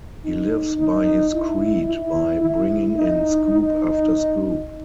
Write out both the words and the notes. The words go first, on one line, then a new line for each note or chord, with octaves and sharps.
He lives by his creed by bringing in scoop after scoop.
D#4
D#4
E4
E4
E4
D#4
D#4